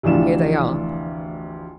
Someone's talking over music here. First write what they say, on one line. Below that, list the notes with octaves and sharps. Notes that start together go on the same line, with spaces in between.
"Here they are."
F1 D2 E3 D4 F4 E7